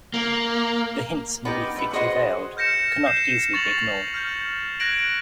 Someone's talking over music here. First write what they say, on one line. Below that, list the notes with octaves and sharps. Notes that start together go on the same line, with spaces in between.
The hints may be thickly veiled, but can not easily be ignored.
A#3
B3 D#4 G4
A3 B4
F#4 G#4 B4 C5 D#5 F#5
F6 G6 A#6 C#7 E7
G6 C7 E7
C#6 A6 F7 F#7
F6 G6
F#6 G#6 A#6 D7 F#7